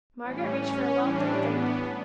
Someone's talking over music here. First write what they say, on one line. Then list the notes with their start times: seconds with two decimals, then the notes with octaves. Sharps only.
Margaret reached for a well-filled date-book.
0.22 A2 E3 G3 C#4
0.61 C#4
0.99 A2 E3 G3 D4
1.38 B3